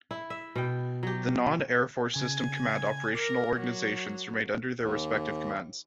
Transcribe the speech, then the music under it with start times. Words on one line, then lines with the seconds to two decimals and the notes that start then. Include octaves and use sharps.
The non-Air Force System Command operational organizations remained under their respective commands.
0.11 E4
0.30 E5
0.55 B2 G5
1.03 F#3 G4
2.16 C#3 G#5
3.15 A#4 D6
3.56 F#3
4.82 D#2